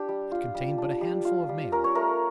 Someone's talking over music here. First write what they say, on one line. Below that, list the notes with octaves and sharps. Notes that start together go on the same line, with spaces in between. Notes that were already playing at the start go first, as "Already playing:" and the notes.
It contained but a handful of mail.
Already playing: D4 G4
G3
F4
G3
D4
G3
F4
G3
C#4 A#4
C#5
A3 A#4